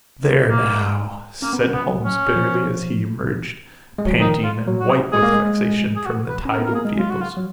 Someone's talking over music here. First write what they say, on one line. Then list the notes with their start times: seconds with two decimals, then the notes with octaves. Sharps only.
"There now!" said Holmes bitterly as he emerged panting and white with vexation from the tide of vehicles.
0.50 A#3
1.42 A#3 C#4
1.53 B3
1.63 C#4
1.73 B3
1.88 F#3
2.04 C#4
2.36 F3
3.98 G#3
4.06 F#3
4.13 F3
4.20 D#3 D#4
4.44 F4
4.67 F#3
4.80 F#4
4.90 G#4
5.13 G#3 G#4
5.23 A#3
5.33 G#3
5.96 G#4
6.06 F#4
6.29 B4
6.45 C#4
6.52 A#4
6.59 B3
6.65 A#4
6.72 A#3 G#4
6.85 G#3
6.99 F#3 F4
7.11 F#4
7.22 F4
7.37 F#3